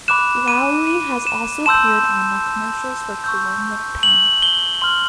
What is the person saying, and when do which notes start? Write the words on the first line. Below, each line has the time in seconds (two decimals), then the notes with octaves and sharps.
Lowery has also appeared on the commercials for Colonial Penn.
0.08 B5 D6 F#6 E7
0.48 D#7
0.87 D#7
1.27 E7
1.66 A5 C6 E6 G6 E7
3.24 C#6 E6 G6
4.03 F#7
4.42 G7
4.81 C6 F6 F#7